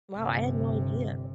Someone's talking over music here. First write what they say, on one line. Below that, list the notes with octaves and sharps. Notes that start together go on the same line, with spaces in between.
Wow, I had no idea.
G1 C3